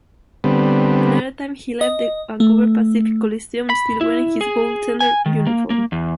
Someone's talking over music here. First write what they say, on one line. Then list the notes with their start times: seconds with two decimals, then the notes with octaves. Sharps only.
Another time he left the Vancouver Pacific Coliseum still wearing his goaltender uniform.
0.44 D3 G3 B3 C4
1.81 D#5
2.40 A3
3.70 B5
4.01 E4
4.41 G#4
5.00 G#5
5.26 D#3
5.47 A#3
5.70 A#3
5.92 E2